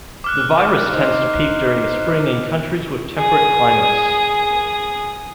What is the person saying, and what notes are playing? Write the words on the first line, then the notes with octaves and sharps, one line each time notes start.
The virus tends to peak during the spring in countries with temperate climates.
D6 F6 F#6
D#4 C5
G#4 D#6